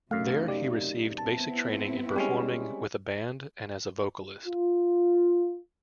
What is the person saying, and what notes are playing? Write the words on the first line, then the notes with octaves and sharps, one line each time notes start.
There, he received basic training in performing with a band and as a vocalist.
F#2 C3 A3 D#4 F5
G4 D5
B3 C4 E4 A5
G3 G#3 C#4 G4
F4